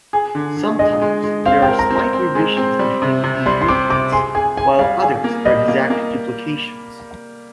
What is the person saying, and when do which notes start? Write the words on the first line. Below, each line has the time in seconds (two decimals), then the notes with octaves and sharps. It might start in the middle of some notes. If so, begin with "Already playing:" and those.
Sometimes there are slight revisions between these reprints, while others are exact duplications.
0.13 G#4
0.35 D3
0.57 D3
0.79 G#3 D#5
1.02 G#3
1.24 G#3
1.45 C4 F5
1.62 G5
1.68 A#4
1.79 A#5
1.91 C4
1.96 A#5
2.13 C4
2.35 G#3
2.57 C4
2.79 G3
3.02 C3
3.24 C3
3.46 G3 C6
3.62 C6
3.68 C4 D6
3.90 C3 D6
4.12 G#4 C6
4.35 G#4 G#5
4.57 G#4 G#5
4.79 G3 F5
5.02 G#4
5.24 A#3
5.45 G3 D#5
5.68 A#3
5.90 A#3